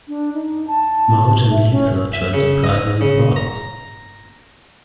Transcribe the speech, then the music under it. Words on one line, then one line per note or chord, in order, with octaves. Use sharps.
Marge and Lisa try to pry them apart.
D4
D#4
A5
E5
C#4
E5
C#3
D#5
C#3
A#5